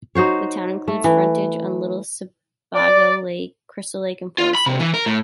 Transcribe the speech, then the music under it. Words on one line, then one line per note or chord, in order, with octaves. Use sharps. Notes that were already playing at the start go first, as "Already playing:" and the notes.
The town includes frontage on Little Sebago Lake, Crystal Lake, and Forest Lake.
D#4 F#4 C5 C#5
A3
E3
D5
F4
B5
C3
E3
A#4
A2